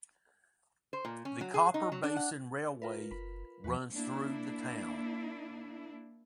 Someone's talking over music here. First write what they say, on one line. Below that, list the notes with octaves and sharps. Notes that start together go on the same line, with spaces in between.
The Copper Basin Railway runs through the town.
C5
A#2
C#4
F#3
G#4
D#4
F#3
D4
F#5
F4 A#4 B4
F#1 B5
E2 F3 F#4 B4
A#3 D4 E4